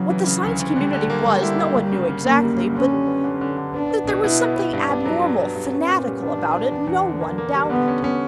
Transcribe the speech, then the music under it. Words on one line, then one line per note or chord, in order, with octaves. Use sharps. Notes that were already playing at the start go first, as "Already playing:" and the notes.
What the Science Community was, no one knew exactly; but that there was something abnormal, fanatical, about it, no one doubted.
Already playing: C#3 E3 F#3
E3
C#3
D2
D2
D3 G3
D3
A#3
D3 G3
E4
A#3
G1
C#3
C#3
F#2 A#3
G3
F#2
D3 C#4
G3
B3
D3
D3
D3
B3 D4
B3
B2
B2 E4
B3
B3
G2 D4
B3
F#3
F#3
B3
G2
B3 C#4
A#2
G3
B3 D4
A#2
B3
E2
E2
D3
A#3
A#3
G3
D3 B3
C#4
C#4